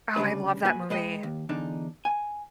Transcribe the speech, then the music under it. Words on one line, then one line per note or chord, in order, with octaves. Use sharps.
Oh, I love that movie.
D2 C#3 G3 D4 B4
A#2 F#4 B4 G#5
G#3 B4 D#5 F#5 G5
D#2
E2 D3 D4 D#4
G#5